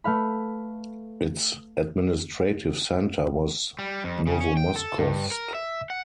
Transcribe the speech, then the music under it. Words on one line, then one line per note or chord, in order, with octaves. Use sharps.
Its administrative centre was Novomoskovsk.
A3 B4 F5 B5
G3
F2
C#3
C#4
G5
A4
G2
A#4
E5
F#5